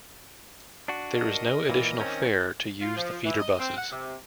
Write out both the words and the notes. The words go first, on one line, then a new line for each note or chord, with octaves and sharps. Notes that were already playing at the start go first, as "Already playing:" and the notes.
There is no additional fare to use the feeder buses.
D4 F#4
A#4 D#5
A#2 E3
D#3 C4 C#4
F4
F3
E3
D#5
C4
F#5
C3